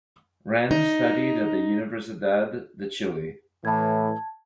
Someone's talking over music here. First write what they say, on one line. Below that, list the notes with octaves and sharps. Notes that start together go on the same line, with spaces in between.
Renz studied at the Universidad de Chile.
D#4
A2 E3 A5 G#6